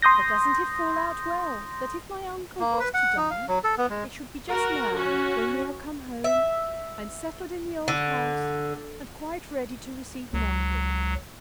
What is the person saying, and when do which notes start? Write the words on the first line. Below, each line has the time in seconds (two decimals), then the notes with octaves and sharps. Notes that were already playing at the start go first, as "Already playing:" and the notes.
But doesn't it fall out well, that if my uncle was to die, it should be just now, when we are come home, and settled in the old house, and quite ready to receive Margaret?
0.02 C6 D#6 G6 A#6
2.60 A#3
2.80 B4
2.94 F#5
3.17 D#4
3.31 F5
3.48 F#3
3.64 A4
3.78 B3
3.90 G#3
4.49 F#4 A#4
4.94 C#4 F#4
6.24 E5
7.88 D3
10.33 C#2 F#3